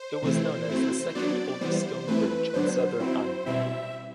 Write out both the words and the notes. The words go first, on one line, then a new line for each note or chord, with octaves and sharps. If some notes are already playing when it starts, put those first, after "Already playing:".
It was known as "the Second Oldest Stone Bridge in Southern Anhui".
Already playing: C5
C3 E3 A3 C4 E4
F#3 A3 C4 E4
F#3 B3 D4 D5
E3 G3 B3 C5
E3 A3 C4 E4 B4
D3 F#3 B3 D4 C5
F#3 C4 E4
B2 G3 C4 E4 E5